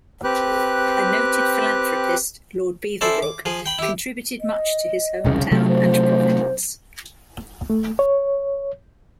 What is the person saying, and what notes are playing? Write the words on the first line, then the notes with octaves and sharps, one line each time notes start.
A noted philanthropist, Lord Beaverbrook, contributed much to his home town and province.
C4 G4 B4 F#6
C#4 E4 A4 C5 D5
D6
F3 G#4
G5 B5
E4 G4
D#5
E1 C2 C#3
C3 F#3 A3
C5
A3
C#5